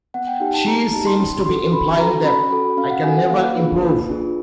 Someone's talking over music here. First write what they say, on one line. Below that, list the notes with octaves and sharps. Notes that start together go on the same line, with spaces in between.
She seems to be implying that I can never improve.
B3 F#5
G5
D#4 G4 G#5
A5
B3 A#5
A#5
D#4 G4 A5
C6
C#4 C6
F#4 A4 C6
C#4 B5
F#4 A4 A#5
C#4 B5
F#4 A4 B5
C#4 F5
F#5
F#4 A4 G#5
F#5
A#3 F5
D4 F4 G#4 B4
A#3 B4
D4 F4 G#4